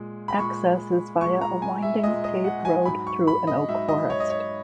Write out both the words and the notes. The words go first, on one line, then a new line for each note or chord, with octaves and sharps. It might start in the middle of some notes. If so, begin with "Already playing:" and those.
Access is via a winding paved road through an oak forest.
Already playing: A#2 G#3
B5
A#2 G#3 C#6
A#2 G#3 C#6
A#5
G#5
E5
A#2 G#3 D#5
D#5
F#5
G#5
G#2 F#3 B5
C#6
B5
D#5
G#2 F#3 E5
D#5
C#5
D#5
C#5